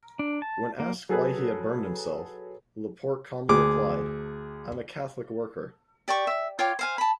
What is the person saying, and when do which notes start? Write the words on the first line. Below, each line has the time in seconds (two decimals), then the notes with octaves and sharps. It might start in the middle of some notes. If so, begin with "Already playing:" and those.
When asked why he had burned himself, LaPorte calmly replied, I'm a Catholic Worker.
0.19 D4
0.42 A5
0.80 A#3
1.09 F#3 G#4 A4 B4
3.49 D2 G#4 D6
6.08 G4 D5 G5 C#6
6.27 E5
6.59 F4 C#5 G5 D6
6.79 C5 F5 G#5
6.98 A5 B5